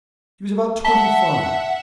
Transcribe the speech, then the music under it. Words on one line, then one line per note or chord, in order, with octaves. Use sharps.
He was about twenty-five.
E5 F#5 A5 B6 G7